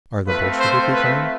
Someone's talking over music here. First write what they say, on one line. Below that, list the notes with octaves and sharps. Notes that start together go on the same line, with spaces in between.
"Are the Bolsheviki coming?"
A3 C4 F4 B4
C5
B4